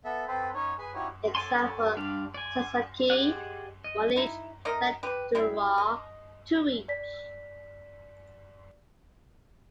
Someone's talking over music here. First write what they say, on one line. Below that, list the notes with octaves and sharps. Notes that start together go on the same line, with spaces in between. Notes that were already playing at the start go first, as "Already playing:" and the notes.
Example: "sansakey", one each; "sanderua", two each.
B3 A4 E5
C4 A4 B4 C5
C#4 D#4 C#5
G#4 B4 G#5
C#4 D#4 E4 F#4 G4 C#5
A4 C#5 D5 G#5 C6
G3 D4 D5 F5
D5 G#5
G4 G#4 D5 D#5 F#5
D#5
D#4 E4
A3 D#4 A#4 D#5
G4 B4
G3 E4 G#4
D#5
D5 B6